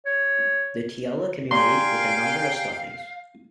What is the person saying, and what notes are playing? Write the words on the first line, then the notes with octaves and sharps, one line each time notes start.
The tiella can be made with a number of stuffings.
C#5
G4 D5 F5 G5 G#5 A#5 C6